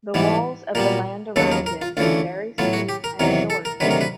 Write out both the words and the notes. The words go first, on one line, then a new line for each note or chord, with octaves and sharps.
The walls of the land around it is very steep and short.
G#2 E3 G3 B3
A#2 G3 B3 A#4
D#2 C#3 F#3 B3 A4
A#4
A#4
F4
D2 C#3 E3 A3 F4
A2 F#3 B3 F4
F#4
G4
A#4
E2 C3 D#3 F#3 A#4
A4
A#4
D2 C3 D#3 F#3 B4
A#4
B4